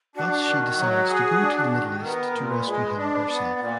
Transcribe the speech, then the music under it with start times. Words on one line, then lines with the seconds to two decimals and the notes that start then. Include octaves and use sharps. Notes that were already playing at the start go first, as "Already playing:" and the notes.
Thus she decides to go to the Middle East to rescue him herself.
0.15 D4 F#4
0.47 D#3
0.78 F#3
1.09 G#4
1.41 D4
1.72 D#3
2.03 B3 A#4
2.34 A#2
2.50 B4
2.66 G#3
2.97 D4 D#5
3.06 D5
3.15 B4
3.24 B3 D5
3.60 A#2